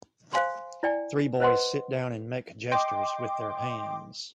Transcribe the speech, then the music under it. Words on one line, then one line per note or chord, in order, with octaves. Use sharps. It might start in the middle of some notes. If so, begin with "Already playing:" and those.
Three boys sit down and make gestures with their hands.
C5 F5 G#5 C6
E4 D5 G5 G#5
B4 C5 D#5 F#5 C6
D#5 G5 C6 D6